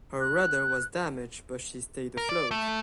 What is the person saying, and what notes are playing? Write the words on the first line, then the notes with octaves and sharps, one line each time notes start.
Her rudder was damaged but she stayed afloat.
F#6
A#4
D5
A3